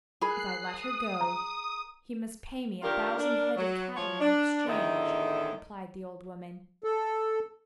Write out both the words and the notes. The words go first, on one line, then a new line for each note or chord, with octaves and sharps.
'If I let her go he must pay me a thousand head of cattle in exchange,' replied the old woman.
G#4 A#4 B5 F#6 C7
D#6
A#5
D#3 D4 F4 G4 A#4
D4 A#4
F#3
F3 C#5
D4
E2 A2 D3 D#3 D#4 E4
A4